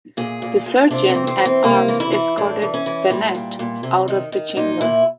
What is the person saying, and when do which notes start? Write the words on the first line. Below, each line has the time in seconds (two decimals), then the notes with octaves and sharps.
The Sergeant at Arms escorted Bennett out of the chamber.
0.17 A#2 G#4
0.42 A#2
0.66 A#2
0.91 C3 D4
1.09 C4
1.15 E3
1.27 C4
1.40 E3
1.46 C4
1.64 C3 A#3
1.88 E3
2.00 E4
2.13 E3
2.37 A2 D4
2.62 E3
2.74 C#4
2.86 E3
3.10 A#2 G3
3.35 A#2
3.59 A#2
3.83 C3
4.08 D#3
4.32 D#3
4.56 A#2 D#4
4.81 A#2 E4